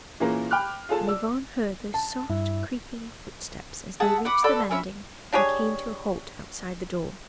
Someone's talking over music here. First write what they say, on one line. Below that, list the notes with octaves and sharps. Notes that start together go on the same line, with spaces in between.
And Yvonne heard those soft, creeping footsteps as they reached the landing and came to a halt outside the door.
A#2 E3 A#3 C#4 G#4 A#4
G5 B5 D6 F6 F#6
F4 G#4 A4 A5
D5 E6
A5
G2 E4
G#4 E5 F#5 A5
F#5 B5 D6
F#4 A4 D5 B5
C4 C#4 E5 B5
D4 G4 G#4 C#5